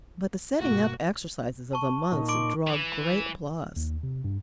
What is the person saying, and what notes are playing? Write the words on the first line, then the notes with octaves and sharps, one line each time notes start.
But the setting-up exercises of the monks draw great applause.
G2 B2 A#3 F#4
A5 C#6
A#2 D#4
C6 D6 D7
E3
D#2
C3
G2